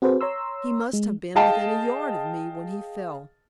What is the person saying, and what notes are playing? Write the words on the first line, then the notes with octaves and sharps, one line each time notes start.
He must have been within a yard of me when he fell.
C4 F#4 G#4 A4 B4 C5
C#5 A#5 C6 E6
G#3
G#4 D#5 F5 G5 A5